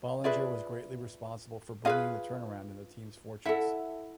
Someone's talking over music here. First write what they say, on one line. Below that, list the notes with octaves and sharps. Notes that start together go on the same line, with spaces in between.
Bollinger was greatly responsible for bringing the turnaround in the team's fortunes.
F4 G#4 B4 D5 E5
F4 G#4 B4 D#5 F5
E4 A4 E5 F#5